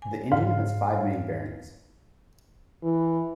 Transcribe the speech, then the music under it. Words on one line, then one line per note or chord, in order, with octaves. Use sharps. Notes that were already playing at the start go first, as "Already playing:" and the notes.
The engine has five main bearings.
G#5
G#2 F5
E3